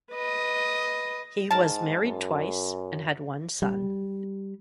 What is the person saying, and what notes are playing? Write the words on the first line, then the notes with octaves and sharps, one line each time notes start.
He was married twice and had one son.
B4 D#5
G#2 A#4 A5
F#2
G3